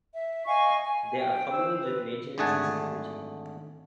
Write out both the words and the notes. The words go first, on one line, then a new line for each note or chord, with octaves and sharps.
There are problems with maintenance and security.
E5
D#5 F5 G#5 C#6
G#5
G5
C5 E6
B4
G#1 D3 A3 G#4 F#5 A5